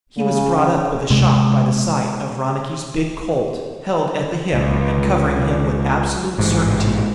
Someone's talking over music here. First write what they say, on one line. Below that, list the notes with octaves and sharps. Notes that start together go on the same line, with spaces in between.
He was brought up with a shock by the sight of Ronicky's big Colt, held at the hip and covering him with absolute certainty.
C#3
C3 G#3
C#2
A1 G#2